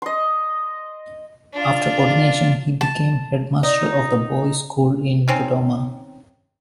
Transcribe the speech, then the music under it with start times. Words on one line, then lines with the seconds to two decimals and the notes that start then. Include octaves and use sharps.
After ordination he became headmaster of the Boys School in Dodoma.
0.02 D#5 C6
1.53 D4 F4
2.81 A5
3.63 D#4
5.28 D#3 C4 C#4